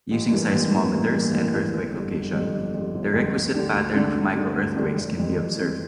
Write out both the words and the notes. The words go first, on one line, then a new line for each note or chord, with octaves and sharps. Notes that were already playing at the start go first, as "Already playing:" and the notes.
Using seismometers and earthquake location, the requisite pattern of micro-earthquakes can be observed.
A1
G2 E3 A#3
A1
G2 E3 A#3
A1
G2 E3 A#3
A1
G2 E3 A#3
G1
F2 D3 G3
G1
F2 D3 G3
G1
F2 D3 G3
G1
F2 D3 G3
D2
D3 G3 D4 G4
D2
D3 G3 D4 G4
D2
D3 G3 D4 G4
D2
D3 G3 D4 G4
F1
F2 E3 G3 C4
F1
F2 E3 G3 C4